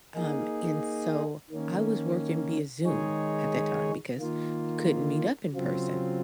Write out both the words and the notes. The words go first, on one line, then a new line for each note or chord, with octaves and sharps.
Um, and so I was working via zoom at that time because you couldn't meet up in person
A#3 D#4 G#4
D#3 A#3 C#4
D#3 G#3 D#4 G#4 C#5
D#3 A#3 F4
C#3 F#3 C4 F4